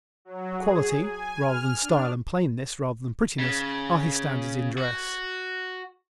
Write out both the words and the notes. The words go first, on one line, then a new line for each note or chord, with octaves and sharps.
Quality rather than style and plainness rather than prettiness are his standards in dress.
F#3
G#4
G#5
F6
D4
C#3
F#4